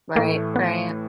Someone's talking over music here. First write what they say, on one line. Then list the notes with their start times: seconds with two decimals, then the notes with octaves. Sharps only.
Right, right.
0.15 A2 E3 A3 A#3
0.56 B3